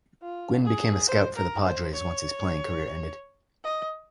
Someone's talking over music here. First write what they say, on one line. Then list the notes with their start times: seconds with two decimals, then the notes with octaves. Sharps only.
Gwynn became a scout for the Padres once his playing career ended.
0.22 F4
0.65 G#4
1.07 C5
1.37 A#4
1.65 C5
1.93 C#5
3.64 D#5